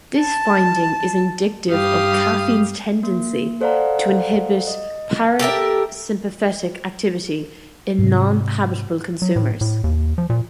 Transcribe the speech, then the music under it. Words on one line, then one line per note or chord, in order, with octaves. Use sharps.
This finding is indicative of caffeine's tendency to inhibit parasympathetic activity in non-habitual consumers.
A5
G2 G3 G4 F5 D#6
A#3
A4 C5 D5 F5 F#5 A#5
D#5
G4 A4 A#4 E5
G#2 C3
F#3
A2
A2
D#2
F3
A#2